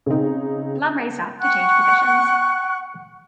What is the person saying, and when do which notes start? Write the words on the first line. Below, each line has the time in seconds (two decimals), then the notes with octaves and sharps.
Lum raised up to change positions.
0.06 C#3 C4 D#4
1.41 F#5 G5 C#6 F#6